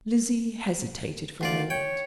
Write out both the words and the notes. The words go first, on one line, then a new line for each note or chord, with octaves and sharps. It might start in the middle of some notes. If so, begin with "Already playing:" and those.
Lizzie hesitated for a moment.
D2 F4 D5
C#5 G5